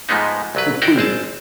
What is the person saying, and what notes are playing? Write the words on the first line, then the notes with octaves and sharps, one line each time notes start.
or prudent.
G#2 F3 G#3 A3 B3 D#4
C2 F#3 B4
D#4 E4 F#4 A#4 D5 G5
G#1 C4 G#4 A5